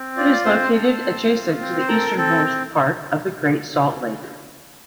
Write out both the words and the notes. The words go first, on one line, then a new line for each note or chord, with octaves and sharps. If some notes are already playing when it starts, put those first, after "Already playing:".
It is located adjacent to the easternmost part of the Great Salt Lake.
Already playing: C4
F4 D5
C4 C5
A4
C4
F4
C4
C5
A4 A#4
C4 A4